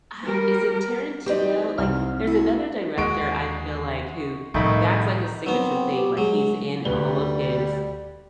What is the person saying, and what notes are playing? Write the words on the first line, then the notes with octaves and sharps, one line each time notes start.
ugh is it Tarantino? Like, there's another director I feel like who that's like a signature thing, like he's in all of his,
G3 A#4
E3 C4 D#4 G4 D5
C2 F6
E4 F#4
D#2 G#3 F#4 F#5 D7
C2 A2 D#3 F3 A3 D#4 B5
F#3 B3 C4
G4
F#3 G#3
D2 G3 B4 G7